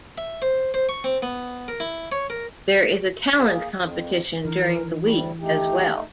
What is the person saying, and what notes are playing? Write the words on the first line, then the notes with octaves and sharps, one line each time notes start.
There is a talent competition during the week as well.
E5
C5
C5
C#6
C4
B3
A#4
E4
C#5
A#4
A#3 G#4
F2
E3 A#4
D2 A2 G3
A3 D#4 G4